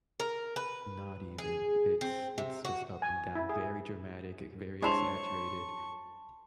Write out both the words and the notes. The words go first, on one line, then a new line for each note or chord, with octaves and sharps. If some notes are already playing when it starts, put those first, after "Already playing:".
Not even. It's it's just up and down, very dramatic, e very exaggerated.
A#4
B4
G#4
C4
C3
F#4
G#5
E4
G#4
G#3 D4 E4 C5 C#5 A5 C#6 F7